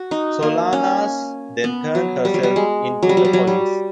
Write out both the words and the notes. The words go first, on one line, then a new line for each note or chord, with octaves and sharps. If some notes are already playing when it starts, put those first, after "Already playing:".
Solanas then turned herself in to the police.
Already playing: F#4
D#4
A#3
C#4
B3
F#3
G3
F#3
G3
G#3
F#3
G3
F#3
G3
F#3
G3